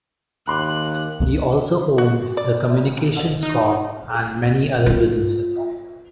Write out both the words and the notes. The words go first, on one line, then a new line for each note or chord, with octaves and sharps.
He also owned The Communications Corp and many other businesses.
D#2 A#5 C6 D6 F#6
F#4
D5
D#4
D#4 F4